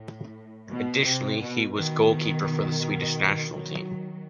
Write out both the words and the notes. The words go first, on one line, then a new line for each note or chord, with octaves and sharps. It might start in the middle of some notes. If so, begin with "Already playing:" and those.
Additionally, he was goalkeeper for the Swedish national team.
Already playing: A2
B2
C3
B2
B2 D#3
D#3 F#3